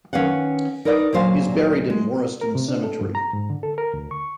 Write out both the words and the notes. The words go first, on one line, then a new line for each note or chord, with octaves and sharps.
He is buried in Warriston Cemetery.
D#3 C#4 B4 F5 F#5
D#4 A#4 B4 D5 D#5
D2 A#2 F#3 C5 F5 G#5
G#3
A#4
C3
D4
A4
G2
A#5
G#2
D3
A4
A#4
D2
C#6